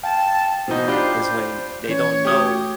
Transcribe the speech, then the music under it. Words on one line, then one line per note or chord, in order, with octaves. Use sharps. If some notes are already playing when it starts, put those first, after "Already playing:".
is when they don't know,
F5 G5 A5
B2 E3 D#4 C5
D4 F4 G4 B5 G6 C7
E3 C#4 C#5
A3 F#4 G4 D#6